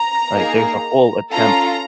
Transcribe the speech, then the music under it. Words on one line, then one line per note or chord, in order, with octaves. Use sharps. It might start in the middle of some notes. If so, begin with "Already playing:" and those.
Like, there's a whole attempt
Already playing: A#5
A#3 D#4 G#4
C#4 F4 A4 A#5